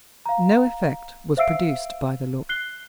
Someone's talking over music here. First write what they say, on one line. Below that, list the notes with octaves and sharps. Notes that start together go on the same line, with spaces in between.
No effect was produced by the look.
F5 A#5
C5 E5 F5 E6 C7 D7
F#6 C7 G7